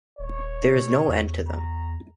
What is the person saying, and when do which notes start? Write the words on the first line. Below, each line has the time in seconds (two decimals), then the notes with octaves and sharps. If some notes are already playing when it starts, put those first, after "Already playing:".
There is no end to them!
0.19 D#1 C#5
0.75 B2
1.07 E2
1.47 A#5